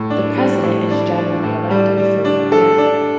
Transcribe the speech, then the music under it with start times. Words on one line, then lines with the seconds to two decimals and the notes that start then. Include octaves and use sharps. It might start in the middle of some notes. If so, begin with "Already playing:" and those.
The president is generally elected for one year.
Already playing: A2
0.10 D4
0.37 G3
0.63 A2
0.91 D4
1.18 D4
1.44 A2
1.71 G3
1.98 G3
2.25 D4
2.52 A4
2.78 D4